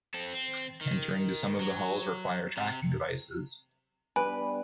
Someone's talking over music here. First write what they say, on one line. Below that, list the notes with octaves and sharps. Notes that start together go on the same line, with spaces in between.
Entering to some of the halls requires tracking devices.
C4 A4
C4
D#3
F#3
C3
G3 B3 D4 B4 G#5